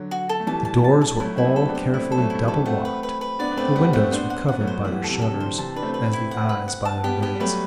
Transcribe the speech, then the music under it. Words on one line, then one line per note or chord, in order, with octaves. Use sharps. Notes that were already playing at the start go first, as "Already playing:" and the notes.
The doors were all carefully double-locked, The windows were covered by their shutters, as the eyes by their lids.
Already playing: D3 F#3
F#4
A4
A3
E3 G3 A5
A5
A5
A5
F#3 A3 E4
C4 E4
G3 B3
A4
B3 D4
C5
A3 C4 E4
A4
F#3 A3
A3 E4
E3 G3
A4
A3 C4 F#5
B4
B4
B4
B3 D4 D5
B3
A3 C4 B4
G3 B3 F#5
A3 C4 F#5
B3 D4 C5
F#5
B3 F#5
F#3 A3
C5
E3 G3 F#5
A4
C3
A4
D3
C5
C3 E3 A5
D4 B4
A3 C4
B4
E4
F#5
B4
F#5
A5
G3 B3 G4
G3 B3 G4
G3
F#3 A3 B4